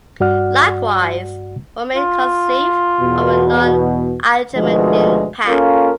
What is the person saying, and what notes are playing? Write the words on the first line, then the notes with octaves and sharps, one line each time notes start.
Likewise, one may conceive of a non-archimedean past.
G2 F#4 D5 F#5 F6
F4
E2 B2
D2 B2 D#3 F3 G#3
A#3 C#4 F4 A4 A#4